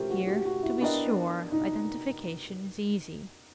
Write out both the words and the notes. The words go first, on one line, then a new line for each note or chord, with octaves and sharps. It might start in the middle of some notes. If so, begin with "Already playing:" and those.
Here, to be sure, identification is easy.
Already playing: F3 A3 C#4 G4 A#4 C5
F#4
G4
F#4
E4
B3 D4 G4 A#4 D#5
D#4